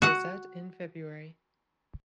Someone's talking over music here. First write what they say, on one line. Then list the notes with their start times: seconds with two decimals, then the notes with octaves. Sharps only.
Gazette in February.
0.02 F#4 F#5